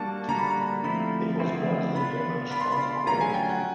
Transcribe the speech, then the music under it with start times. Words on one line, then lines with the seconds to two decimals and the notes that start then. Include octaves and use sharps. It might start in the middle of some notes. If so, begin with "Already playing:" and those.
It was badly damaged by the quake.
Already playing: G3 A#3 D4 F#4 A5
0.28 D3 G3 A#3 D4 F#4 A#5
0.38 B5
0.50 A#5
0.84 D3 F3 A3 C4 E4 B5
1.40 D3 F3 A3 C4 E4
1.95 B3 D4 F4 B5
2.51 B3 D4 F4 B5
2.61 C6
2.72 B5
3.06 D3 F#3 A3 C#4 F4 A#5
3.21 G#5
3.34 G5
3.49 F#5